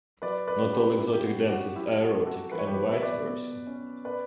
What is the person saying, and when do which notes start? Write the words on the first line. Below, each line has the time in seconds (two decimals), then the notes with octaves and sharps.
Not all exotic dances are erotic, and vice versa.
0.22 F#3 B4 D5
0.47 B4 D5
0.61 C#3
0.73 G4 B4
0.99 F#2 E4
1.14 G4
1.24 F#4
1.37 F#2
1.49 F#4
1.75 F#3 E4 G4
2.01 F#4 A4
2.14 F#3
2.26 F#4 A4
2.52 E3 B4
2.59 C#5
2.67 G4 B4
2.90 B3 E5
3.03 B4 D5
3.29 B2
3.67 C#4
4.05 B4 D5